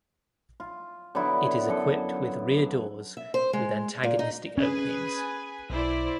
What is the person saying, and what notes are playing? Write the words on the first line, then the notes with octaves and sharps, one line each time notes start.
It is equipped with rear doors with antagonistic openings.
F4
D3 F#3 B3 E4
F#2 A4
E5
C5
G#3
A#2
D#4
C#4 G#4 B4 G#5
B1 E4 C5 D5